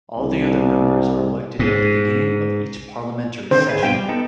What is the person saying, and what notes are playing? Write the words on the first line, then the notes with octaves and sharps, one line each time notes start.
All the other members are elected at the beginning of each parliamentary session.
C2
G#2
D3 D#3 C4 C5
G#4 B4
G2 B2 F4 G5
G3
B3 D#4 A4